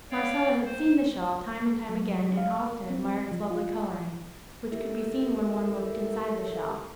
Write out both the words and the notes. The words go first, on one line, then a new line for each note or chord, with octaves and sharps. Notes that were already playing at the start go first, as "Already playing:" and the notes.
Marcella had seen the shell time and time again and often admired its lovely coloring, which could be seen when one looked inside the shell.
C#5 D5 F5 G5
C5
A3
F#3
F#3
F5
A#4
C4
F3
F4
E4 G4 A4 A#4 E5